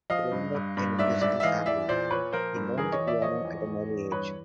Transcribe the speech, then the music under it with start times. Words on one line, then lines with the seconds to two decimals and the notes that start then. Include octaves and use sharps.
Growing up in a musical family, he learned the piano at an early age.
0.10 F3 D#5 F5
0.32 G2
0.55 G2
0.77 G2
0.99 G#2 D5 E5
1.21 G#2 D5 E5
1.40 E5
1.43 E3 D#5 F5
1.66 E2 D5 E5
1.88 A#2 C5 D5
2.11 A#2 B4 C#5
2.33 F3 A#4 C5
2.56 G2
2.77 E3 G#4 A#4
2.92 C#5 D#5
3.00 E2
3.07 D5 E5
3.22 F3 C#5 D#5
3.45 E2
3.67 E2
3.89 E2
4.11 G2 B4 C#5